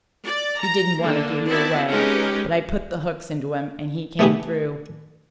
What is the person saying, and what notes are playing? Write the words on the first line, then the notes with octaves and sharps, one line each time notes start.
He didn't want to give you away, but I put the hooks into him, and he came through.
D5
A#5
D3 A#3
B3 C4 E4 F#4 D5 A5
G#3 C#4 D#4 G4 A#4 B4
A3 B3 D4 G4 G#4 B4